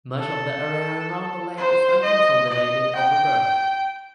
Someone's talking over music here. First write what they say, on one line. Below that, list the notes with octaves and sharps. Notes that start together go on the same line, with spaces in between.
Much of the area around the lake is unconsolidated overburden.
A4
C5
D#5
D#5
G5